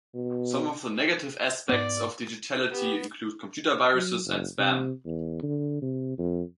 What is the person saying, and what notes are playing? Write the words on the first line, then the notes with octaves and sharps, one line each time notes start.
Some of the negative aspects of digitality include computer viruses and spam.
B2
G#2 B3 D5
B3 G4
F#3
F#1
C3
E2
D3
C3
F2